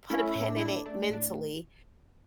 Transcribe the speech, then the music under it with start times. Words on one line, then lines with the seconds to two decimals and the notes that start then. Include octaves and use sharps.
put a pin in it, mentally,
0.10 A3 C#4 E4
0.36 A2
0.48 D4
0.56 E4
0.60 A3
0.65 D4
0.86 A3 D4
1.10 A2 D4